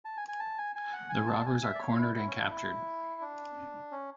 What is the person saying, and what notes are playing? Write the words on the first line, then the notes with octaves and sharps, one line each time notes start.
The robbers are cornered and captured.
A5
G#5
G#5
A5
G#5
G#5
F#5
G#5
A5
G#5
E5
D5
C#5
E4
E4
C#4
D4
E4
D4
C#4